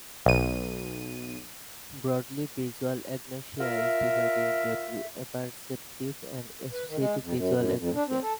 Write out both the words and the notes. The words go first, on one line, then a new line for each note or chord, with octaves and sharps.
Broadly, visual agnosia is divided into apperceptive and associative visual agnosia.
B1 D#7
F4 A#4 E5
B4
D#3
G#3
F2
F#2
F#2
F2
D4
C4
A4